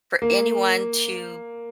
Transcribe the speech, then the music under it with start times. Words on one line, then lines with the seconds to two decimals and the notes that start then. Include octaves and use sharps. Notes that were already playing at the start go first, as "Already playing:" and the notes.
for anyone to
0.22 A#3